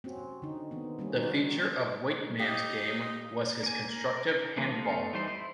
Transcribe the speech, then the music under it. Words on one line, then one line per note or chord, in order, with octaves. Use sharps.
The feature of Weightman's game was his constructive handball.
C4 C#4 F#4
D3 D#4
D#3 B3 C4
G3 A#3 C4 C#4
D#3 C4 D#4 F#4 A#4 D5
D#4 G4 D#5 F5
A#3 G#5
A#4
D3 E3 A#3
A3 B3 A4 C5 F5
E3 G3 D#4 C5
E4 C5